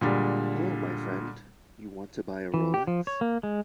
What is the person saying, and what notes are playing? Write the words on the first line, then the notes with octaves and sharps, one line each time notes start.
Hello my friend, you want to buy a Rolex?
A#2 D3 G3 G#3
E3
G4
F3
C#5
A#3
G#3